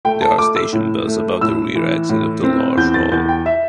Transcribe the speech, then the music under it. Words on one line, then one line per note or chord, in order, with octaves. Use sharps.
There are station bells above the rear exit of the large hall.
A3 G5
A5
A3 D6
E6
A2
A3
A2 E6
E3
A2
C4
E2 G6
A6
E2 G6
G5
E5